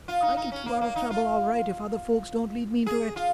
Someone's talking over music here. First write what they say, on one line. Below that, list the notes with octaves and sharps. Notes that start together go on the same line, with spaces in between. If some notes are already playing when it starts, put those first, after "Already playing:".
I can keep out of trouble all right if other folks don't lead me into it.
F4
D#4
D#4
C#4
A#3
A#3
D#4
F4
G#4
F4